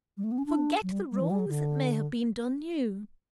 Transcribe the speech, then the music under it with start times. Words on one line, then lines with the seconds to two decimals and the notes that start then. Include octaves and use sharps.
Forget the wrongs that may have been done you.
0.17 G3
0.24 A3
0.32 B3
0.38 C#4
0.46 D4
0.83 F#3
0.92 G3
1.11 G3
1.21 E3
1.30 G3
1.39 F#3
1.48 D3